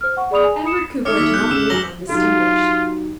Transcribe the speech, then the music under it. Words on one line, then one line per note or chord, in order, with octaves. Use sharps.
Edward Cooper did not live undistinguished.
C5 F6
F#5 C#6
G#4 D5 B5 D#6 F7
G#5
B5 D#6 C#7 E7
A3 D#4 C#5 D6 F6 C#7
D#2 E6 B6
B1 F#6 G6
C#3 E6 E7
F#2 F#3 C#4 A#6 F#7 G7
F#3 D#4 F4 G4